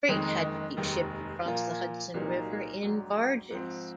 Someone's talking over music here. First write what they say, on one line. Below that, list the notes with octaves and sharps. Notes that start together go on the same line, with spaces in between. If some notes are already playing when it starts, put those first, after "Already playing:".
Freight had to be shipped across the Hudson River in barges.
F#1 F2 D#3 G#3 D#4
F1 D#2 D#3 G#3
A#2 F3 A#3 F4
C2 A#2 F#3 A#3 D#4
A#1 G#2 F#3
G#2 F3 C4